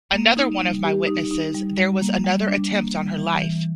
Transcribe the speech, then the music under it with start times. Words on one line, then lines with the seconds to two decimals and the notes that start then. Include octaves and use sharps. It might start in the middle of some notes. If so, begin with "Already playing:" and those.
Another one of my witnesses, there was another attempt on her life.
0.13 A#3
0.37 D#4
0.60 G3
0.84 G4
1.07 D#4
1.31 D#4
1.54 G3
1.78 G3
2.01 A#3
2.24 G3
2.48 D4
2.71 A#3
2.94 G3
3.18 E3
3.41 E3